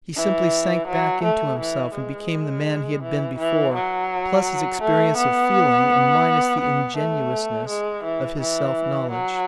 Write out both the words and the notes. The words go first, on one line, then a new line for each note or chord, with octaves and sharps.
He simply sank back into himself, and became the man he had been before, plus his experience of feeling, and minus the ingenuousness of his self-knowledge.
E3
F#3
A3
E3
G#3
E3
E3
F#3
A3
B3
B3
A3
G#3
E3
E3
F#3